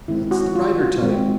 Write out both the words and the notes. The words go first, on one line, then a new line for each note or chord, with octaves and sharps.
'That's the writer-type.
D#3 G#3 C4 E4
F#4
F4
F#4
D#3 G#3 C4